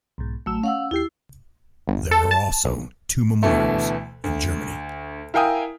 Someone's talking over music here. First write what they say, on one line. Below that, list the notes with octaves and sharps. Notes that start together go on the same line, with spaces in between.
There are also two memorials in Germany.
B1 G#2
A1 F#3 A3 E6
C#4 F5 F#5 E6
D#2 E4 G4 C7
G1
A4
A5
B1
D2 B2 E3 A3
D2
E4 A#4 F5 G5 G#5 D#6